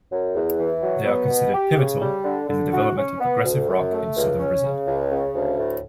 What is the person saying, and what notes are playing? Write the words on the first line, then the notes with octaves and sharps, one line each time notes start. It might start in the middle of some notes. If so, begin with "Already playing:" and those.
They are considered pivotal in the development of progressive rock in Southern Brazil.
F#2
E2
E3
F#3
B3
B2
G4
C#3
G3
D3
D3
F#4
C#4
B3
D2
F#2
A3
C#2
C#4
C#3
C#2
C#3
D2
A2